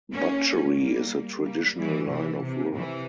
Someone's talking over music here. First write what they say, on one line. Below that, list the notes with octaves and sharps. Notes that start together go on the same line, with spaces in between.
Butchery is a traditional line of work.
A#3 C#4
G3 A#3
G3 A#3
E3 G3
C3 E3
C3
C3 E3